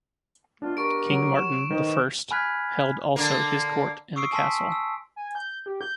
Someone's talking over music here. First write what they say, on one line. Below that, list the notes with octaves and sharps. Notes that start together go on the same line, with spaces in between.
King Martin the First held also his court in the castle.
B2 A3 D4 F4
B2 G4 A#4 C#6 D7
F#3
E7
D#3 B4 C5 D#5
G#5 B5 F6 F#6 G#6 B6
D3 A#3
C#6 D#6 E6 C7 D7
G#5 A5 C6 E6 B6
E6
G#5
G6
G4
G6